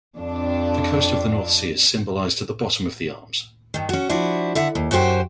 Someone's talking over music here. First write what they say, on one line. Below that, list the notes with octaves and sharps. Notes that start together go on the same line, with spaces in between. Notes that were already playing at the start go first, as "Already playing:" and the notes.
The coast of the North Sea is symbolised at the bottom of the arms.
F2 D4
G2 D#3
C#4 F#4
F3 D4 E4 F#4
D3 E5 F#5
D#2
F#2 F#4 G4 C5 G5